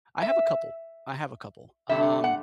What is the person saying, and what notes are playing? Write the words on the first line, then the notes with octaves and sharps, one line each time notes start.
I have a couple, I have a couple, um
E5
G2 D3 A3 E5
F#5